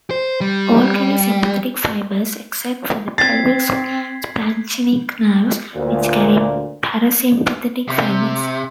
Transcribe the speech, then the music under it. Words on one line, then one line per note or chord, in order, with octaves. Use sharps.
All carry sympathetic fibers except for the pelvic splanchnic nerves, which carry parasympathetic fibers.
C5
G3
C4 G#6 A6 B6 C7
D2 A#2
C3